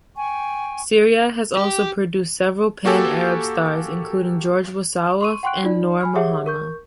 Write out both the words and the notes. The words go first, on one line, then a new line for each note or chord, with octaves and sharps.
Syria has also produced several pan-Arab stars, including George Wassouf and Nour Mahana.
G5 G#5 C#6
G4
A#3 F#4 G4 A4 G#5
C6 C#6 D#7
F#5 G5 C6 C#6 F#6 D7
D#4 F4 D5
G#5 B5 F6
G4 G#4 C#5 E5 F#5 D6
A#4 C#6 G6